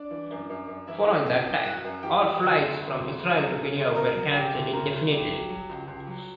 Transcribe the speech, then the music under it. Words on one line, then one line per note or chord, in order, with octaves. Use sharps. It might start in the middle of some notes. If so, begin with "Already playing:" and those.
Following the attack, all flights from Israel to Kenya were cancelled indefinitely.
Already playing: D4 D5
E3
F#2
F#2
F#2
E3 E4 E5
E3
F#2 E4 E5
F#2
F#2 F#4 F#5
F#2
E3 G4 G5
E3
D2 F#4 F#5
D2
D2
D2
D2
F#3
C#3
D2
C#3 A#4 A#5
F#3
C#3 G4 G5
D2
D2 A#4 A#5
D2
D2 G4 G5
F#3
F#3
C#2
C#2
F#3